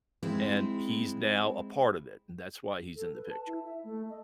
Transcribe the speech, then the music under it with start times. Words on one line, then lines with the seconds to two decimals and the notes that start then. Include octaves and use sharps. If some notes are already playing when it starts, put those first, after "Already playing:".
and he's now a part of it, and that's why he's in the picture.
0.23 G#3 C4 E4
2.96 A4
3.16 B4
3.30 A5
3.46 E4
3.66 E5
3.84 A3
4.10 D#5